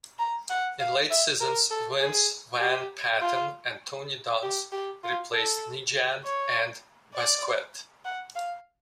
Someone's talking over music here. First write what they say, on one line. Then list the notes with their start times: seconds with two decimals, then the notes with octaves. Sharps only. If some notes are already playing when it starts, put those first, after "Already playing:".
In later seasons, Vince Van Patten and Tony Dunst replaced Nejad and Busquet.
0.19 A#5
0.50 F#5
0.80 F5
1.10 E5
1.40 A#4
1.71 A4
2.00 G#4
2.61 G4
3.21 F4
4.43 G4
4.72 G4
5.04 F4
5.33 A4
6.24 C#5
7.14 D5
8.05 F#5
8.35 F5